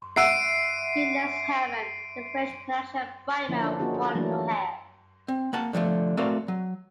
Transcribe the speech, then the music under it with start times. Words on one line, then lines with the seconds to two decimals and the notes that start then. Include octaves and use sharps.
"Free" lends "Harem" the French connection Brightman wanted it to have.
0.16 E5 F#5 E6 C7 D7 D#7
3.48 D3 F3 A#3 C#4 E4
3.61 D4
3.79 A#3 C#4 D#4 F4 F#4 G#4
3.94 A4
4.15 E3 F#3 A3 A#3 D4
5.28 C4
5.53 A#3 F#5 A5
5.73 D3 F3 F#3 A3
6.17 A3 C4 F#4 A#4 D5 F5
6.48 F#3